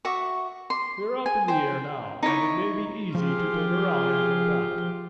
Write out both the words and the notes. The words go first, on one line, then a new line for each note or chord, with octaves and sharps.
We're up in the air now, and it may be easy to turn around and go back.
F#4 E5 C#6
C6
G#5
C5 G5
D#4 E4 C#5
F3 F4 G4 G#4